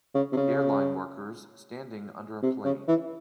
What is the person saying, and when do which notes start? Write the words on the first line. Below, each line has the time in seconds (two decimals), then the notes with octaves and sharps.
Airline workers standing under a plane.
0.14 C#3
0.32 C3
0.37 C#3
2.42 C3
2.64 C#3
2.88 E3